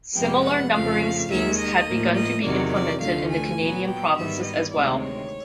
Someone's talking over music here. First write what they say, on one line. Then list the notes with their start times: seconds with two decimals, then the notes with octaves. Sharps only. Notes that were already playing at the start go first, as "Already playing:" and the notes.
Similar numbering schemes had begun to be implemented in the Canadian provinces as well.
0.15 F2 C3 F3 G#3 B3 G5
0.44 F#5
0.73 F2 C#3 F3 A3 F5
1.29 D#2 D#3 G#3 E5
1.57 D#5
1.87 A2 F3 A#3
2.15 D#5
2.43 E2 C3 D#3 F#3 D5
2.71 D5
3.00 D2 D3 F3 A3 F5
3.29 G#5
3.58 A#2 F#3 B3
3.86 G5
4.15 G#2 D#3 G3 B3 E5
4.43 D#5
4.72 D2 C3 D#3 G#3 C4 D5
5.00 C#5